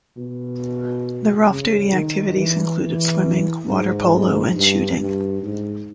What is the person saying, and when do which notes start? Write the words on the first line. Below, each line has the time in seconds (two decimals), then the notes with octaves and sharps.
Their off-duty activities included swimming, water polo and shooting.
0.17 B2
1.49 C#3
1.92 D#3
2.37 E3
2.80 E3
3.68 G#2
4.55 G2
5.00 G2
5.43 G#2